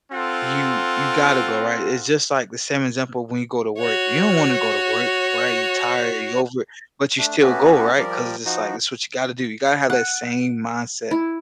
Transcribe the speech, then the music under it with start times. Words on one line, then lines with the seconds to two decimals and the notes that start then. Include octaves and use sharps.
you you gotta go, right? It's just, like, the same example when you go to work. You don't wanna go to work, right? You're tired. You're over it, but you still go, right? ‘Cause it's just like that's what you gotta do. You gotta have that same mindset
0.12 C4 F4 A4 F#5
3.78 F#4 C#5
7.18 A3 D4
7.41 A3 B3 C#4 F#4 G4 B4
7.98 F3 G3 G4 A#4 D5
8.46 F3 D#4 F#4
9.90 F#5
11.11 E4